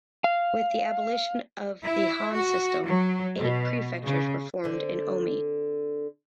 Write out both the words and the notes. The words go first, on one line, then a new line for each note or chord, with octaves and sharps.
With the abolition of the han system, eight prefectures were formed in Omi.
F5
E4
F#4
F#3
B2
C#3
D3 C4